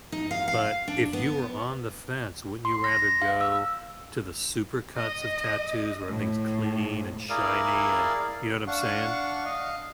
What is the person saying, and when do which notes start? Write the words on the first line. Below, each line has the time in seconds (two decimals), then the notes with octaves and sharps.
But if you were on the fence, wouldn't you rather go to the supercuts of tattoos where everything's clean and shiny and you know what I'm saying?
0.12 D#4
0.31 F5
0.48 F5
0.88 D4
1.13 B3
2.65 C6
2.84 A#6
3.22 F5
3.41 E6
4.97 D#5
6.09 A2
7.30 E4 G#4 A#4 D5 F5
8.68 D4 F5 F#5 C#6
9.45 D#5 F5